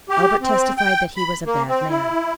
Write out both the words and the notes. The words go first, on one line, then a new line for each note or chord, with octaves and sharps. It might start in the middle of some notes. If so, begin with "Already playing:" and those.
Albert testified that he was a bad man.
G4
C4
G5
B5
A#3
C4
E4